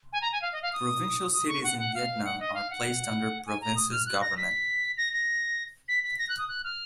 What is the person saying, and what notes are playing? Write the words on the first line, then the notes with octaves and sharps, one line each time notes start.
Provincial cities in Vietnam are placed under the province's government.
G#5
A#5
G#5
F5
D#5
F5
D#6
D#6
C#6
F#5
F#5
F5
F#5
D#5
F5
F#5
G#5
A#5
D#6
F6
F#6
A#6
B6
A#6
A#6
B6
B6
A#6
F#6
D#6
F#6
F6